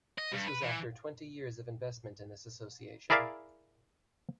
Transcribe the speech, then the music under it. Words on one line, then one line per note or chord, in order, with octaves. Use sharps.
This was after twenty years of investment in this association.
D#5
G2
B4
E3
E4 G#4 A#4 D5 E5 F5